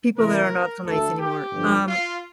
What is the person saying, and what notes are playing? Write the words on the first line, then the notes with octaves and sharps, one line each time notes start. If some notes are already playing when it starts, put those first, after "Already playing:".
people there are not so nice anymore. Um,
C3 E3 A3 C4 E4 A#4
D2 D3 A3 A4
G4
G1 F2 D3
F4